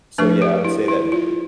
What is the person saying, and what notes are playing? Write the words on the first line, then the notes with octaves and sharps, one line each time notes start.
so, yeah, I would say that, eh,
F3 A3 D4 B4
G4
E4
E4
F4